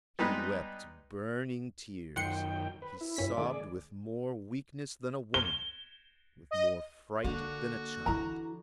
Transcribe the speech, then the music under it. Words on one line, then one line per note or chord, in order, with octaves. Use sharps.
He wept burning tears, he sobbed with more weakness than a woman, with more fright than a child.
G3 G#3 B3 D#4 B4
F#2 D#3 F#5 G5 C6 C#7
B4
E4
G2 C#4 B6
D#3 A3 G#4 D5
G7
D#5
D3 A#3 F#4
E3 E4 A#5